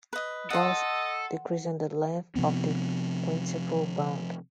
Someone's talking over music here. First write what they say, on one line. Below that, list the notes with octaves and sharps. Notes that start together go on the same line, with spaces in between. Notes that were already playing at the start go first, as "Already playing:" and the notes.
Thus, decreasing the length of the quintuple bond.
B4 D#5
A4 D#5 F#5 C6
C3 F3 B3 C4